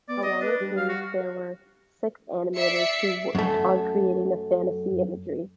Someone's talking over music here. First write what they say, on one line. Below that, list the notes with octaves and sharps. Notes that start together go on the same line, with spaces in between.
Along with Hayes, there were six animators who worked on creating the fantasy imagery.
B3 D5
D5 D#5
D4 B4
G3
F5
F#4
D5 E5 C7 C#7
F#2 A3